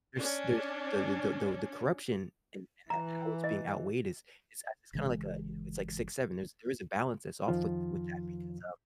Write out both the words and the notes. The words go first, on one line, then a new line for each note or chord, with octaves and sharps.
there's there's the the the the the corruption and and how it's being outweighed is is, uh it's kinda like a, you know, it's like six-seven, there's there is a balance that's off with with that because, um
C#4 D4
E3 A#5
D#5
G1 C#3 E3 G#3
F2 D#3 F3 F4